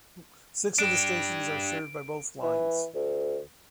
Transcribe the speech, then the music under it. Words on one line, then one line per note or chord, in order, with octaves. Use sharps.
Six of the stations are served by both lines.
D4 G4 D7
E3
D2